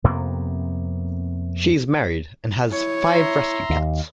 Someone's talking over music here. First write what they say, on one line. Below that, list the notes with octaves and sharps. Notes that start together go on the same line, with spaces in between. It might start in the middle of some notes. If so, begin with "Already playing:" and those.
She is married and has five rescue cats.
F2 C3 A#3 B3
E4 C#5
E5 A#5 C6
D#2